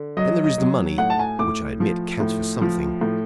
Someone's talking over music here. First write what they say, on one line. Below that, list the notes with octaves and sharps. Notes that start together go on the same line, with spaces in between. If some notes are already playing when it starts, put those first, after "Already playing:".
Then there is the money, which I admit counts for something.
Already playing: D3
F#3 D#5
D#5
F#3
A2 F#5
A5
G#5
A2 D6
F3
A2
F3
A2